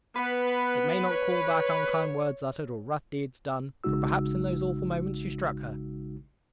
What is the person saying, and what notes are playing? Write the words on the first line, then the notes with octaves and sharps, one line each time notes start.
It may not call back unkind words uttered or rough deeds done--for perhaps in those awful moments you struck her!
B3 B4
C#5
A1 C#3 G#3 D#4 F#4 E6